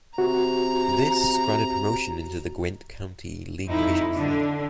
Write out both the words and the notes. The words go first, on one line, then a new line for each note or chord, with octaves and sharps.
This granted promotion into the Gwent County League Division Three.
C3 F#4 A#5
F2 D#4 E4
D3 D4